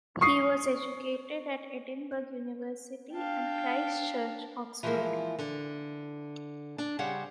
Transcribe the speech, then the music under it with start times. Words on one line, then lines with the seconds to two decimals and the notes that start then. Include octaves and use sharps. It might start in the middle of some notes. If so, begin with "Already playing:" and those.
He was educated at Edinburgh University and Christ Church, Oxford.
0.21 C#6 D#6 C7
3.14 D4 F5 G5 A5
4.83 E3 F3 G#3 A#3 E4 A#4
5.39 D3
6.78 D4
6.99 C#3 G3 C4 C#5 F#5